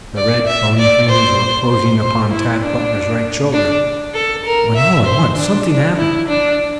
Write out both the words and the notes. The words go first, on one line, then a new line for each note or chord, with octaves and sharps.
The red, bony fingers were closing upon Tad Butler's right shoulder, when all at once something happened.
D5
E5
D5
C5
C5
C5
E4
D4
D4
A4
A#4
E5
C5
D4
D4
E4
D4